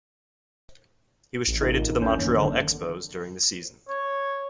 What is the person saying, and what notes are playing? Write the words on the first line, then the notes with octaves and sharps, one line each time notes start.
He was traded to the Montreal Expos during the season.
A1
D#4 F4 A#4
D#2 C#4 G6
G1 F#2 D#3 A#3
D3
C#5